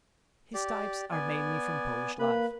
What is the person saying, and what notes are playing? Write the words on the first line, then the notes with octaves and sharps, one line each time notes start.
His types are mainly from Polish life.
G4 D5
B3 D5 G#5
A#3 B4 B5